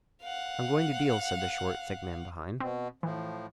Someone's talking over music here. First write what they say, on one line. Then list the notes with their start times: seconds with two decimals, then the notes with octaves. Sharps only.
"I'm going to deal," said the short, thick man behind.
0.23 F5 F#5
2.60 B2 C4
3.03 A2 E3 F3